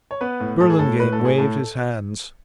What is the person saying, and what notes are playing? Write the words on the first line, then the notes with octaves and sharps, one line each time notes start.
Burlingame waved his hands.
C#5
B3 B4
A2
A2 A4
G#4
A2 A4
A2 B4
A4
A2
G#4
A2 A4